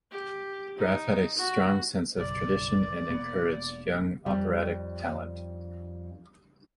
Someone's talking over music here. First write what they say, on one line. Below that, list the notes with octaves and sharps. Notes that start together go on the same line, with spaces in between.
Graf had a strong sense of tradition and encouraged young operatic talent.
G4
D#4
F#4
F#1 B1 D5
E1 A#3 B3
F2 G3